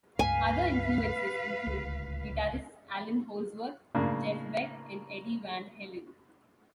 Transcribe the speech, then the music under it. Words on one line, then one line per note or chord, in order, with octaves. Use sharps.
Other influences include guitarists Allan Holdsworth, Jeff Beck, and Eddie Van Halen.
C#2 G2 B4 F5 G#5
D1 C#2
A2 C#3 A#3 D4